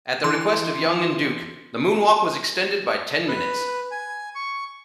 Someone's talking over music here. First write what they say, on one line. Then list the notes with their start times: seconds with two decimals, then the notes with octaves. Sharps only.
At the request of Young and Duke, the moonwalk was extended by ten minutes.
0.24 E3 C6
3.28 B4
3.91 G#5
4.35 C#6